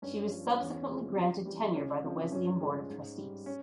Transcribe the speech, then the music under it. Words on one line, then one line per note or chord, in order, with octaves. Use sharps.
She was subsequently granted tenure by the Wesleyan Board of Trustees.
G2 C#4
F3 G#3
E2 C#4
C3 F3 G#3
F2
E3 G3
C#2 C#4
C3 F3
G2 C#4
G#3
F3
G#2
G3
C#4